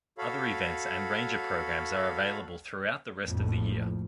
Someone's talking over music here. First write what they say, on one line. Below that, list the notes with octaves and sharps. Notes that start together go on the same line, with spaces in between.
Other events and ranger programs are available throughout the rest of the year.
F#4 A4 C#5 F5 B5
A#1 F2 A2 F3